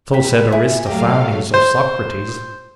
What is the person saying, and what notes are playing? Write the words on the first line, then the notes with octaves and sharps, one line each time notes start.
'So said Aristophanes of Socrates.
G5 B5
E4 G#4
F#3 A3 G4 F5 A#5
C5